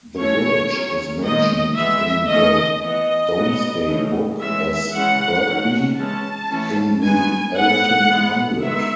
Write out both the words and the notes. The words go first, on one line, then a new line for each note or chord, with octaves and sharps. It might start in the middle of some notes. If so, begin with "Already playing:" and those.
The village is mentioned in the "Domesday Book" as "Bergbi" in the "Allerton" hundred.
E3 A3 C#4 C#5
F#3 C#4
D#3 G#3 C#4 D#5
E3 G#3 B3 E5
D#3 A3 C#4 D#5
E3 B3 D#5
F#3 B3
E3 A3 C#4
E3 G#3 C#4 E5
E3 G#3 C#4 F#5
D#3 F#3 C#4
E3 G#3 C#4 A5
E3 A3 C#4
D#3 G#3 B3 G#5
E3 B3 F#5
E3 G#3 B3
D#3 G#3 B3 E5